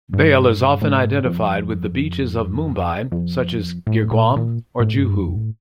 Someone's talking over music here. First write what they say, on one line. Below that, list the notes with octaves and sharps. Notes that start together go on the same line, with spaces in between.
Bhel is often identified with the beaches of Mumbai, such as Girguam or Juhu.
G2
A2
G#2
F2
F2
A2
A#2
A#2
A2
G2
F2
A2